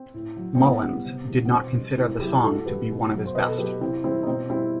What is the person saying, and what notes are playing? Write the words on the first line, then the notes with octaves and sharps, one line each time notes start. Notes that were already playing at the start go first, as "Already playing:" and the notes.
Mullins did not consider the song to be one of his best.
Already playing: C4
A2
F#3
C4
A2 B3
G3
C3
E3 G3
B3
B2 C4
G3
C3 C4 E4
F#3 E4 G4
A2 F#4 A4
E3 G3 G4 B4
B2
F#3
C5
B2 B4 D#5
A4
F#3 G4 B4
C3 C4 E4
E3 G3 C4 E4
D#4
B2 C4
G3 C4 E4